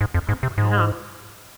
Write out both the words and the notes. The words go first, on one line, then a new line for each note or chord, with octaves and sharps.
Oh, wow.
G#2
F2
G#2
C3
G#2